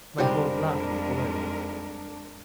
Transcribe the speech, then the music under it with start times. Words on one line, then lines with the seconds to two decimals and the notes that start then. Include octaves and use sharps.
My whole blood was boiling.
0.18 F2 G3 G#3 D4 D#4 G4 A#4 C5